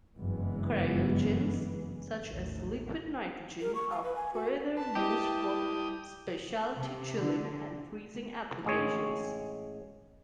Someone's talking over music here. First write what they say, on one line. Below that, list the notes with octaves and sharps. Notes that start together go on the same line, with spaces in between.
Cryogens, such as liquid nitrogen, are further used for specialty chilling and freezing applications.
F#1 G2 E3 G#3 B3
A1 D#2
A#4
C#6
F5
B4
G#5
F#4
B4 A5
G3 E4 G4 D#5 G5 D#6
C3
D3
A1 G#3 C#5